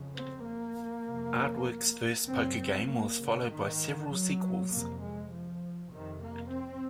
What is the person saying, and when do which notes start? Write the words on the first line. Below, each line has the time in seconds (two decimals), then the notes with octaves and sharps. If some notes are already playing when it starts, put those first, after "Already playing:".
Artworx's first poker game was followed by several sequels.
Already playing: F2 C#3
0.14 C4
0.45 A#3
1.05 F2 C3
2.26 F#2 C#3 C4
2.58 C4
2.88 A#3
3.18 C#3
3.48 G#2 D#3
4.09 F#3
4.70 F2 C3 A#3
5.01 G#3
5.32 F3
5.91 F2 C3 D#3
6.22 A#3
6.52 C4